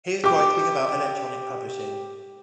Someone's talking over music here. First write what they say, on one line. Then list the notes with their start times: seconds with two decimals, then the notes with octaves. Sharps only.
He is writing about electronic publishing.
0.24 G4 D6